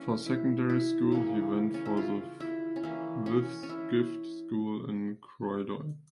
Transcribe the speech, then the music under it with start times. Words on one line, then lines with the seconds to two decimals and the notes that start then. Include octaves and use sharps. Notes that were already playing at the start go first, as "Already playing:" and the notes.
For secondary school he went to the Whitgift School in Croydon.
Already playing: E3 G3 A#3 C#4 E4
0.26 E4
0.70 E4
1.12 C#3 E3 A#3
1.74 C#4
1.85 E4
1.97 F4
2.40 E4
2.76 C#4
2.83 E3 A#3 E4
3.26 C#4
3.63 C#4
3.69 E4